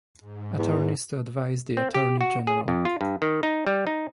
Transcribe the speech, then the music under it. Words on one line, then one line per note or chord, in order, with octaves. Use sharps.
Attorneys to advise the Attorney General.
G#2
E2
C4
G4
F#4
G#4
F2
F4
G2
D#3
D#4
G3
D#4